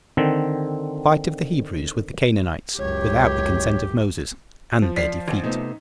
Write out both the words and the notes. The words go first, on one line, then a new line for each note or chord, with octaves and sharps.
Fight Of The Hebrews With The Canaanites Without The Consent Of Moses; And Their Defeat.
D3 D#3 C4
C#2 F#2 G4 C#5
F3
D5 B6 C7
A1
C3 A3 B3 D#4